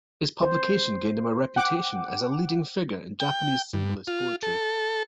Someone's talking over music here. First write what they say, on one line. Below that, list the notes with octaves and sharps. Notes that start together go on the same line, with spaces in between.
Its publication gained him a reputation as a leading figure in Japanese symbolist poetry.
C5
F#5 G5 D6
G5
G2
F4
A4